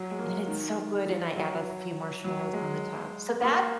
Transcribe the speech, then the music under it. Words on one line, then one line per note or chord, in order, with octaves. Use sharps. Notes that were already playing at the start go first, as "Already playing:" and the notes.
And it's so good, and I add a few marshmallows on the top. So, that
Already playing: F#3
G#3
A#3
D#3
F3
F#3
F#3
G#3
A#3